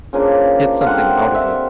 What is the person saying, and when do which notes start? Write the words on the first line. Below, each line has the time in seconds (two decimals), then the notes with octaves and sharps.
get something out of it,
0.13 C#3 F3 A#3 D4
0.81 F5
0.86 D3 G3 C4 F#5
1.35 E5